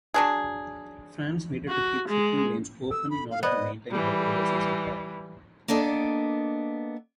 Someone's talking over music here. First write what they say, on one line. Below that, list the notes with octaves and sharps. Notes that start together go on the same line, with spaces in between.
France needed to keep shipping lanes open in order to maintain her overseas empire.
F#3 D4 G#4
F#4
G#3
A4 E6
B5
F5
B3 C5 D5 D#5
E3 G3
A#3 B3 D4 A4 D#5